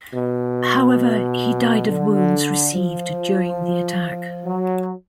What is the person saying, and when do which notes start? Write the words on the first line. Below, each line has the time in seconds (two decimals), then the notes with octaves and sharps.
However, he died of wounds received during the attack.
0.14 B2
1.87 D3
2.73 F3
4.46 F#3